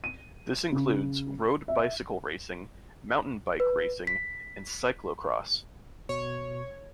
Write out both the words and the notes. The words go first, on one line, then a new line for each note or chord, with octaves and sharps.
This includes road bicycle racing, Mountain bike racing and Cyclocross.
D#7
C#3
E5
B4
B6
B2 C#5